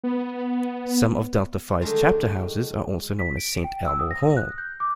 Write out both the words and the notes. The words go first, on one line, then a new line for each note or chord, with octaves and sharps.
Some of Delta Phi's chapter houses are also known as "Saint Elmo Hall".
B3
D3 D#3 F#3 G#3 A3
B6
D7
G5
E6
D#6
A#6
F#6
G6
D6